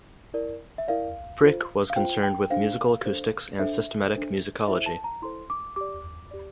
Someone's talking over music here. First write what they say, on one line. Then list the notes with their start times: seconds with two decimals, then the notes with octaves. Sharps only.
Fricke was concerned with musical acoustics and systematic musicology.
0.34 E4 A#4 D5
0.78 E5
0.88 E4 A#4 D5 F5
1.42 F4 C5
1.90 F5
1.96 F4 C5 G5
2.23 G5
2.50 D4 A4 C5 F5
3.05 D4 A4 C5
3.59 D4 A4 C5 E5
4.14 D4 A4 C5
4.68 E4 A4 C5 E5
4.86 A5
5.04 A#5
5.22 E4 A4 C5 C6
5.50 D6
5.76 G4 D5 D6
6.31 G4 D5